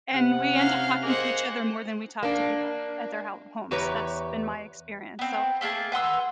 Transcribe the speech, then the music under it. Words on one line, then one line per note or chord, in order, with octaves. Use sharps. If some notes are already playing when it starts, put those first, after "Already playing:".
And we end up talking to each other more than we talk to people at their ho homes. That's been my experience, so
C3 F#5
C#4 D#4 F5 F6
A#3 G#4 C5 D#5 F#5
A#3 D4
E2 G4 B4 C#5 A#5
B3 C4
A3 A#3 G#4 A5
B4 F#5 C6 E6